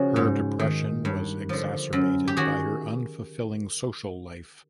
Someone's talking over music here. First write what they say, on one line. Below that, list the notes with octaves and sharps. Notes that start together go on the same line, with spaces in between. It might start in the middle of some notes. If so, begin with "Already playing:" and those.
Her depression was exacerbated by her unfulfilling social life.
Already playing: C#3 F3 F#4 G#4
G#2
D#3
G2
D3 F3
F#2
G4
D#3 F#4 G#4